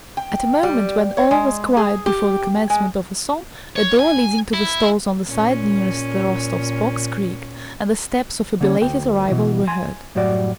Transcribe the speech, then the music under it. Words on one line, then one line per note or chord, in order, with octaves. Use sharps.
At a moment when all was quiet before the commencement of a song, a door leading to the stalls on the side nearest the Rostovs' box creaked, and the steps of a belated arrival were heard.
G5
G3
C#5
G#3
G#4
G4
G#3
C#5
G#5
E4
A#2 C#4
D3 A#3 C#4
D2 G5
B2 E3
G#5 C6
F#2 A2 F#3 G3 F#4 D5